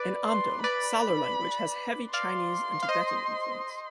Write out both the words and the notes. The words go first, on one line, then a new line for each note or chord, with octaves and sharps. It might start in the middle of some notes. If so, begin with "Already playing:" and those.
In Amdo, Salar language has heavy Chinese and Tibetan influence.
Already playing: B4 D5
C6
B4 D5 B5
D5 F5 C6
F5
C5 D#5